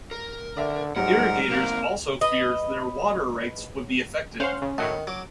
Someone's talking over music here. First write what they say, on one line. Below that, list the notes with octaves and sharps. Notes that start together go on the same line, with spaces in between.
Irrigators also feared their water rights would be affected.
A#4
D3 D5 E5
G#2 F#3 G3 A#4 F#5
G#3 A#3 C4
B4 D#5
C#4 C5 F5 F#5 C6
C#3
A2 D#3 F#3 A3 F#5
F#3 D6